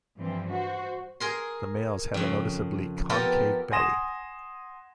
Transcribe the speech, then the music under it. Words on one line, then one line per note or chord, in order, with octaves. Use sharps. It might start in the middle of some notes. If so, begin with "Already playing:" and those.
The males have a noticeably concave belly.
G2 E3 F3 C4
F#4 C5
G#4 A#4 C6
F2 C#3
B3 F4 G4 A4 A#4
F#5 G#5 C6 D#6 A#6 E7